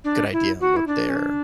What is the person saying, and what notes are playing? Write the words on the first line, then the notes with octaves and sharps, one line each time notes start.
good idea on what they're
D4
E4
F#4
E4
D4
C#4
D4